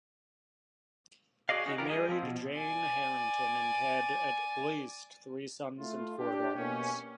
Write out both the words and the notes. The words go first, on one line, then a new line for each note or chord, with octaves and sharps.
He married Jane Harrington and had at least three sons and four daughters.
F#4 G#4 D5 D#5 F5
C#4 D#4 F#4
D3 E3 F4 G4 A#4
G3 G#4 D#5
F3 C4
B2
D5 G#5
A3 E4 F4
D4 G4
B2 A#3 C#4